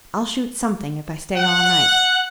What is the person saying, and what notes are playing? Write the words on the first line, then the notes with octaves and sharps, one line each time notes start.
I'll shoot something, if I stay all night.
F#5